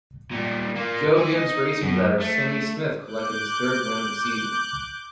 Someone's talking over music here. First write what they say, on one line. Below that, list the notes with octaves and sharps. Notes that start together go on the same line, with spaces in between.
Joe Gibbs Racing driver Sammy Smith collected his third win of the season.
A#2 G3
A#3 F4
E4 G#5
D#4
F#2
A3
D6 F#6 G6